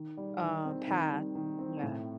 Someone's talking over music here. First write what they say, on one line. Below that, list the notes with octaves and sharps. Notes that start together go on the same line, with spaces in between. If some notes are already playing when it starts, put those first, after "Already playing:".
uh, path. Yeah.
Already playing: D#3
G3
D#3
C4
D#3
G3
D#3
C4
A2